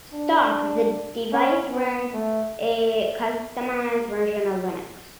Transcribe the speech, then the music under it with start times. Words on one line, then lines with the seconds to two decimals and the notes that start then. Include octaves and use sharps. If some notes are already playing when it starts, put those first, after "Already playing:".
Stock, the device runs a customised version of Linux.
0.13 D4
1.33 C#4
1.73 B3
2.13 A3